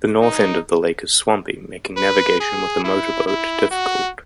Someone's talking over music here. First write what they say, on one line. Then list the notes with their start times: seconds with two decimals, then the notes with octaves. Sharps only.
The north end of the lake is swampy, making navigation with a motorboat difficult.
0.21 D#4
1.97 B4
2.40 G#4
2.84 E4
3.27 E4
3.71 F#4